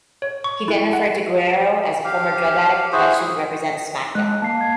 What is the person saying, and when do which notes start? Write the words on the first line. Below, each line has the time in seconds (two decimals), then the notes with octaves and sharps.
He then referred to Guerrero as a former drug addict that shouldn't represent SmackDown!
0.22 C#5
0.44 C#6
0.68 E4
0.93 F#5
2.04 G4 F5
2.92 E4 F#4 G#4 C5
4.15 G#3 F#6
4.42 A#3 A5 C7
4.61 G#6